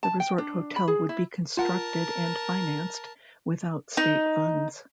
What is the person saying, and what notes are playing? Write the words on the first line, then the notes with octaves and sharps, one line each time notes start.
The resort hotel would be constructed and financed without state funds.
A5
G5
D4
B5
G#4
E4
F4 A#4 F#5 A5
D#4